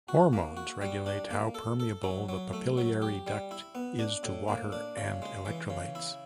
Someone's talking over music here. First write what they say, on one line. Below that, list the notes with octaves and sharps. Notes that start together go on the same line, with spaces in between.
Hormones regulate how permeable the papillary duct is to water and electrolytes.
F#4
A#3
F#4
G3
D4
A#3
A4
A4
F#3
F#3
A3
F#3
G4
G3
E4
B3
D4
A2
A#3
D4
C#3
G#3
E3
C#3
E4